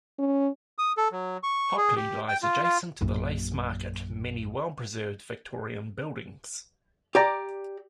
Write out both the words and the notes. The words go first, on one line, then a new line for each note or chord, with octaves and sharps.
Hockley lies adjacent to the Lace Market, many well-preserved Victorian buildings.
C#4
D#6
A4
F#3
C#6
G#4
G4
G5
F4
F4
A#1 F#2
G4 D5 A#5